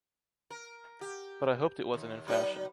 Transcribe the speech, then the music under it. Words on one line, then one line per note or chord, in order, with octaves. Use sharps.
But I hoped it wasn’t in fashion.
A#4
G4
D#2
F#3 D#4 B4